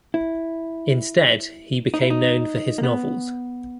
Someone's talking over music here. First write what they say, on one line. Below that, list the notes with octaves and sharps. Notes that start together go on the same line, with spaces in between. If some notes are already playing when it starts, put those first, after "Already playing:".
Instead, he became known for his novels.
E4
D#4
E4
D#4
A#3
B3